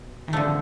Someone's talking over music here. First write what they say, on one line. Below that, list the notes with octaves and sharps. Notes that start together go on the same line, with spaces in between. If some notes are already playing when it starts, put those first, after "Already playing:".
I don't
Already playing: B2
D3 F3 A3